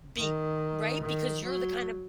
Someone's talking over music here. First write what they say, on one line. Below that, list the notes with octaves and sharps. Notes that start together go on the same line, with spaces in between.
be Right? Because you're the kind of
D#3
D#3
F#3